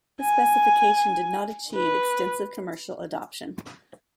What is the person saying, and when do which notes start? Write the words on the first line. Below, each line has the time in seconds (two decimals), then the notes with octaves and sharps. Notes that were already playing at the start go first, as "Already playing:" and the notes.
This specification did not achieve extensive commercial adoption.
0.21 G#5
1.75 B4